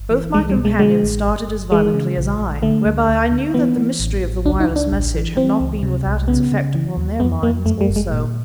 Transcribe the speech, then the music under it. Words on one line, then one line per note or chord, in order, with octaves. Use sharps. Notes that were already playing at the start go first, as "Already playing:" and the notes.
Both my companions started as violently as I, whereby I knew that the mystery of the wireless message had not been without its effect upon their minds also.
Already playing: G1
E3
C2 G#3
G3
B2
G#3
D3 G#3
A1
G1
G1
E3 G#3
C#3
A#1
A#1
D3 A3
D2
D2
D3
E3 B3
E3
A1
A1
C#2 D4
D#4
C#2
D4
A1
E3
E3 C4
C#2
C3
C2
C#3 B3
C#3
E3
D#2
F2 B3
F2 A#3
F#2 A3
G3
G1
G#3
A#2